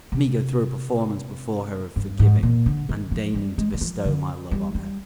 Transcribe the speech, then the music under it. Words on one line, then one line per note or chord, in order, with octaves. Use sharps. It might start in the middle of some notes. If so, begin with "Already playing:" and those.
Me go through a performance before her of forgiving, and deigning to bestow my love on her!...
C3
G2
G#2
A#2
D3
D#3
F3
G3
G#3
G3
F3
D3
G3
G3